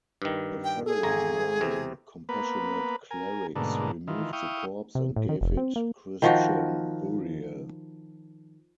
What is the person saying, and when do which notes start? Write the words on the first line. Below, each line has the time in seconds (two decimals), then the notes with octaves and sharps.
The following morning compassionate clerics removed the corpse and gave it Christian burial.
0.22 G2 D#3
0.64 G5
0.86 G#4 A4
1.03 G#1 G#5 A#5
1.61 E2 C3
2.29 A#3 B3 B4
3.11 A#4 G#5
3.56 G#2 B2 D3 A3 A#3
4.07 D#3 E3 F4
4.33 E4 F5 G5 C#6 D#6
4.95 C3
5.16 A2
5.29 D#3
5.41 F1
5.57 C4
5.76 A#3
6.22 D#3 F3 F#4